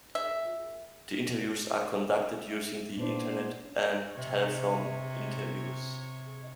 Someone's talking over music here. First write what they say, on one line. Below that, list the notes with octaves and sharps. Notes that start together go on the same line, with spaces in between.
The interviews are conducted using the internet and telephone interviews.
E5
E5
A#2 B3 D4 E4 C5
C3 C#5